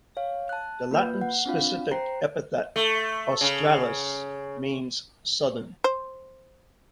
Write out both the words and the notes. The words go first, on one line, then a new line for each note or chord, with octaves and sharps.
The Latin specific epithet "australis" means "southern".
C#5 F5
A5 F#6
A#3 F4 B4 G6
F#5
C4 D4 F4 F5
C5 G5 A#5 C7
A3
C#3
C5